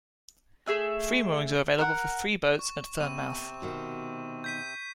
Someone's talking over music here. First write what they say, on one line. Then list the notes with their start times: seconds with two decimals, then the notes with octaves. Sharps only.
Free moorings are available for three boats at Thurne mouth.
0.66 A3 G#4 E5 G#5
1.78 A#4 F#5
2.59 C#6
3.00 C3 B3 C4 D#7
3.62 B2 D#3 F#4
4.44 G6 B6 D#7